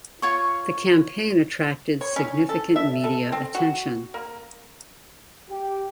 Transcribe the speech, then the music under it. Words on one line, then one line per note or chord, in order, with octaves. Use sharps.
The campaign attracted significant media attention.
F4 C#5 C#6
C#5
C#4
A4
E5
A4
C4
F#4
A#3
G4